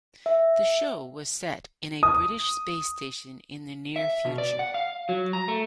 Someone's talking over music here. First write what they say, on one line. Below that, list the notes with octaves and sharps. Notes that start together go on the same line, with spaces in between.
The show was set in a British space station in the near future.
E5
D#6
E5
B2
D5
F#5
F5
F#3
A#5
A3